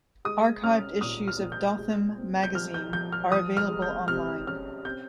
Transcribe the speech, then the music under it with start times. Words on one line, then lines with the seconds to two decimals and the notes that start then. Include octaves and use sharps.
Archived issues of "Dothan Magazine" are available online.
0.25 G#3 D#6
0.64 C#4 F6
1.01 A#2 D#6
1.28 F6
1.39 A#2
1.52 G6
1.78 G#3
2.16 C4
2.44 G6
2.55 F3 F6
2.74 G6
2.93 F3 G6
3.12 F6
3.32 F3 D#6
3.57 F6
3.69 G#3
3.82 G6
4.08 C3 F6
4.47 C#4 F6
4.85 C4 G6